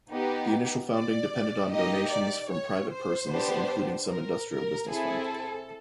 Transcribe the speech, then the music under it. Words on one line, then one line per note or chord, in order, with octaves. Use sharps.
The initial founding depended on donations from private persons including some industrial businessmen.
B3 D#4 G4
D5
A#3 D#4 G4 D#5
D5
C#5
C5
B3 D4 G4
A#4
A#4
C4 E4 G#4 A4